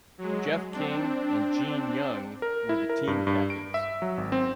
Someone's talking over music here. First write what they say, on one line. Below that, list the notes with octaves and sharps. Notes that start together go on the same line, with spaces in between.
Jeff King and Gene Young were the team captains.
F#3 G#3
C4 D4
A#4
E4
A#4
G2
G2
D7
E5
F#3
G#1
C4